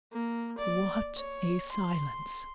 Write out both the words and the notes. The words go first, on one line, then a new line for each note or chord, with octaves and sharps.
What a silence!
A#3
D5
C#5
C6